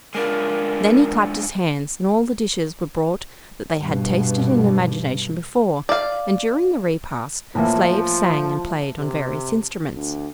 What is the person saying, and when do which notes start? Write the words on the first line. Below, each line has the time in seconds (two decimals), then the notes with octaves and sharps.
Then he clapped his hands, and all the dishes were brought that they had tasted in imagination before and during the repast, slaves sang and played on various instruments.
0.15 G#3 D4 F4 A#4
3.80 G2 B2
5.89 D5 F5
7.55 A2 E3 F3 A#3
8.99 C3
9.94 D2